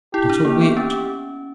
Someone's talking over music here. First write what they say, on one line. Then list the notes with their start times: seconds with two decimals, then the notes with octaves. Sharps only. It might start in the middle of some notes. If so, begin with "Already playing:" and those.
"Not a whit."
0.13 E4 G4
0.30 D4
0.45 A#3 G4
0.61 B3
0.77 C#4 G4